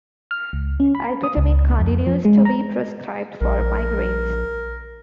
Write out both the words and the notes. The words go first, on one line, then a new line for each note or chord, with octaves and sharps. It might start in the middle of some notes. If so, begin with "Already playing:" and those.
Ergotamine continues to be prescribed for migraines.
F6
C#2
C#4
B5
D#6
C#2
F2
F3
G#3
A#5
A#1 A#4